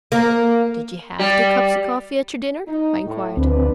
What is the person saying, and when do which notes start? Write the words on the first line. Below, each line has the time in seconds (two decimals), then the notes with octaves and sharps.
"Did you have two cups of coffee at your dinner?" I inquired.
0.12 A#3
1.20 G3
2.67 D#4
3.05 A2
3.37 D2 F3 C4 D4 B4